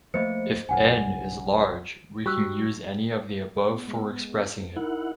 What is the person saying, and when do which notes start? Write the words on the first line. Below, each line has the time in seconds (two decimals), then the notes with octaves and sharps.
If "n" is large we can use any of the above for expressing it.
0.14 F3 A3 A#3 C5 D#5 B5 C#7
0.69 F#1 B1 F#2 F#5 G#5
2.26 G3 F#4 C#6 E6 F#6
3.69 G#2 B3
3.87 G#3
4.47 D7
4.76 D#4 E4 A#4 F#5